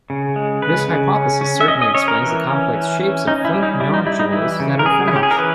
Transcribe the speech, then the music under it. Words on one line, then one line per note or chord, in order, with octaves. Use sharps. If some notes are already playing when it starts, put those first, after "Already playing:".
This hypothesis certainly explains the complex shapes of flint nodules that are found.
C#3
G#3
C#3 B4
C#3
C#4
C#4
E5
C#4 D#5
D#5
C#4 C#5
A#4
E3
C#4
E3
C#4
C#4 D#4
E4
G3
D#4
G3 E4
D#4
G3 E4
D#4
E3 E4
C#3
A#4
C#3 G#4
E4
C#4 G4
G#4
A#4
E3 B4